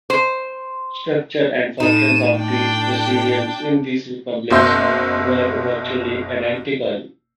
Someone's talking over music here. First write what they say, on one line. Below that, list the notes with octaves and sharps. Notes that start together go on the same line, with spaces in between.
Structure and functions of the presidiums in these republics were virtually identical.
C5
A2 D#4 D#7 E7
D4 G5
F#1 B2 C5 E5 C6 G6